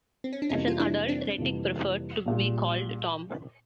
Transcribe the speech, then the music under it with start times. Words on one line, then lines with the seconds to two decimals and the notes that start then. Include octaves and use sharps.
As an adult, Rettig preferred to be called Tom.
0.24 C4
0.33 C#4
0.42 D4
0.49 F2 C3 E3 G3 A#3 C#4 D#4
0.68 F4
0.80 D4 E4
1.08 C4 D4
1.38 F2 C3 E3 G3 A#3
2.26 A#1 A#2 G3